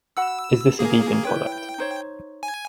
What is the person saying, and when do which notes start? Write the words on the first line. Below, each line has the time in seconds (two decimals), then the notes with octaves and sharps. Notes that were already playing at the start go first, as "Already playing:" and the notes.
Is this a vegan product?
0.17 F#4 F#5 B5 E6
0.79 A#3 G#4
1.25 E4 B4 C#5 G5
1.78 D#4 C5 C#5
2.43 G#5